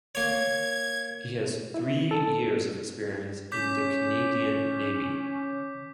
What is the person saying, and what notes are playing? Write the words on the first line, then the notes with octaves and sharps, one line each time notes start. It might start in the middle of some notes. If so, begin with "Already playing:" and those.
He has three years of experience in the Canadian Navy.
A#3 C#5 G#6
E4
A4
C#4 D6 G6 B6